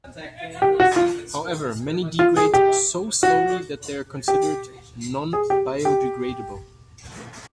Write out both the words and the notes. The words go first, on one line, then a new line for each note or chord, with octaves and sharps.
However, many degrade so slowly that they are considered non-biodegradable.
G4
F#4
F4
F4
G#4
G4
F#4
G4
G#4
G4
G4